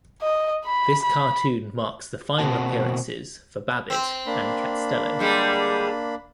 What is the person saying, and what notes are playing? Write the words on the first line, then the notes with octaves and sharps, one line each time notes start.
This cartoon marks the final appearances for Babbit and Catstello.
D#5
B5
B5
B2 A#3 C4 F#4 A5
C4
A#3 D4 B5
D3 G3 G#3